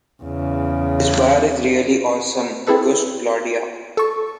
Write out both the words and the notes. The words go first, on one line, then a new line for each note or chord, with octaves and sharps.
This bar is really awesome, gushed Claudia.
E2 C#3
C4 E4 G#4 A4 B4
A4 C#6